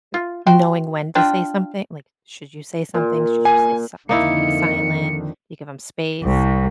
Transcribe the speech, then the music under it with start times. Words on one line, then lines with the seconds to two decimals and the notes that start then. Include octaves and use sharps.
m knowing when to say somethi like, should you say something, should you say si stay silent, you give 'em space-
0.14 F4
0.47 F#4 G5 C6
1.15 D4 F4 G5
2.94 A#2
3.45 G#5
4.09 F2 D3 D#3 A#3 D#4 E4 C#7
6.23 C2